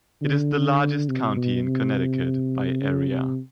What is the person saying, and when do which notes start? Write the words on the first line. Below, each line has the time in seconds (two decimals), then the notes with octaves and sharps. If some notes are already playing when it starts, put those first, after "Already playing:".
It is the largest county in Connecticut by area.
0.22 D3
1.08 C3
1.36 B2
1.65 C3
2.80 C#3
3.09 C3